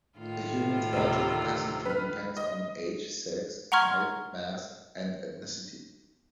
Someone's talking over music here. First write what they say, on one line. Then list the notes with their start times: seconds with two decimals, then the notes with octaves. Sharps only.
A human's vital capacity depends on age, sex, height, mass, and ethnicity.
0.18 A2 D#3 F4
0.93 D2 C3
1.86 B4 F6
2.37 D#5
3.72 F#5 A#5 C6 C#6 F6 G#6